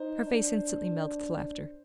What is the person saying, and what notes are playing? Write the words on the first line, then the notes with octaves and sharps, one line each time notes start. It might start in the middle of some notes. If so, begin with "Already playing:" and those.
Her face instantly melted to laughter.
Already playing: D#4 C5
D4